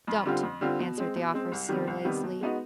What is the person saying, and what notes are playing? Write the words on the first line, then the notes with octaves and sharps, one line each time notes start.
"Don't," answered the officer lazily.
F2
D3 G3 C4 F4
F2
D3 G3 C4 F4
B2
G#3 C4
B2
G#3 C4
C2
C3 D#3 G3 B3
C2
C3 D#3 G3 B3
B2
G#3 B3 D#4 F#4